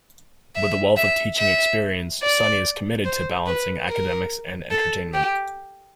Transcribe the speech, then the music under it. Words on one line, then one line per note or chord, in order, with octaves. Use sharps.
With a wealth of teaching experience, Sonny is committed to balancing academics and entertainment.
E5
E5
E5
D5
C5
B4
A#4
A4
G4